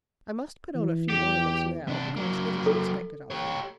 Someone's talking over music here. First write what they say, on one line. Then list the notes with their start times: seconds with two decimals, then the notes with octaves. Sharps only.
I must put on a few ornaments now, because it is expected of me.
0.75 E3
1.10 E2 G4
1.88 C3 D4
2.16 F#3 A#3
2.66 A4
3.30 G4 C#5